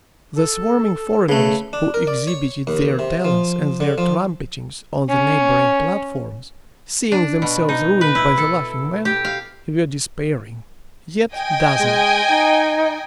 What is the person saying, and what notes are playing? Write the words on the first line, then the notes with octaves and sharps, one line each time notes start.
The swarming foreigners who exhibited their talents and their trumpetings on the neighbouring platforms, seeing themselves ruined by the Laughing Man, were despairing, yet dazzled.
A4
C#3 A3 B4
D4
A#4
D5
C#5
D#2
C3
F3
D3
F3
C#4
D4
B2
D#4
B4
E4
A4
G4
F5
D#5 G5 G#5
G#3
D#4